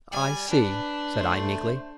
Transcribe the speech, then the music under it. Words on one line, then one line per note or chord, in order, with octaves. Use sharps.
"I see," said I, meekly.
G3 D5 G#5
D4 B4
A3 C5